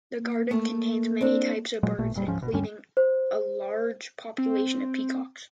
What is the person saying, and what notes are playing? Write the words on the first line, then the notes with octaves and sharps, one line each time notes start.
The garden contains many types of birds, including a large population of peacocks.
A#3
A3
C4 D4
A#2 F#3 G#3
A1 A#2 A3
F1 A#2 G3
D1 G#2 F3 C#4
G1 B2
D2 G2 G3 C#4
C5
C4